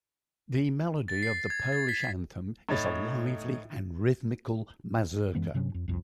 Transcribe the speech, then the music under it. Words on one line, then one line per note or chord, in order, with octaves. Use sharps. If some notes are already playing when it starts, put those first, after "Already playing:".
The melody of the Polish anthem is a lively and rhythmical mazurka.
A6
C7
G#6
A6
B6
A2 D#4 C#5 B5 A6
F#2 E3 G#3 B3
G2 C3 F#3 C#4
F2
C2 F2